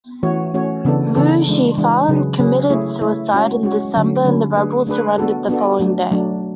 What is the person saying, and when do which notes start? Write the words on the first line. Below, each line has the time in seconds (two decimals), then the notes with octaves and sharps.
Wu Shifan committed suicide in December and the rebels surrendered the following day.
0.23 E3 A3 C#4 F#4 C#5
0.54 E3 A3 C#4 F#4 C#5
0.85 C#3 E3 B3 D4 A4
1.16 C#3 E3 B3 D4 A4
1.47 E3 G#3 D4
1.77 E3 G#3 D4
2.08 C#3 F#3 C#4 G#4 B4
2.39 C#3 F#3 C#4 G#4 B4
2.70 A3 E4 G#4 C#5
3.01 A3 E4 G#4 C#5
3.33 G#3 C#4 F#4 C#5
3.63 G#3 C#4 F#4 C#5
3.94 D3 F#3 A3 C#4
4.25 D3 F#3 A3 C#4
4.56 A3 D4 G#4 B4
4.87 A3 D4 G#4 B4
5.18 B3 D4 F#4 A4
5.49 B3 D4 F#4 A4
5.79 F#3 A3 D4
6.11 F#3 A3 D4